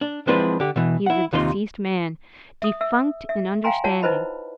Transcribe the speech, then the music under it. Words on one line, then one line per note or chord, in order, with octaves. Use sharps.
He is a deceased man--defunct in understanding.
D4
F3 G#3 C4 D4 E4 B4
D3 G4
B2 E3
E4 F#5
D#2 C3 D#4 F4 C6
E5 D#6
E5 E6
E5
F5 G5 G#5 A#5 C6
F4 C#5 F#5 A5
D#4 E4 B4 C5 D#5 B5